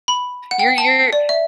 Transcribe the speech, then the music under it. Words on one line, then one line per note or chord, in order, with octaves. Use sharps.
you're you're
B5
F#5
G5
A5
D5
E5